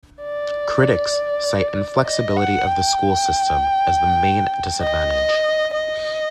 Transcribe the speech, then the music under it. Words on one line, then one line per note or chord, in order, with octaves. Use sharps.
Critics cite inflexibility of the school system as the main disadvantage.
D5
D#5
F#5
G5
D#5
D#5